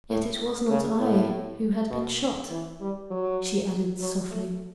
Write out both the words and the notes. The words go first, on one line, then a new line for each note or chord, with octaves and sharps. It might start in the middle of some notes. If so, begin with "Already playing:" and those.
"Yet it was not I who had been shot," she added softly.
A2
C#3
A2
B2
E3
G3
F#3
F#3
A3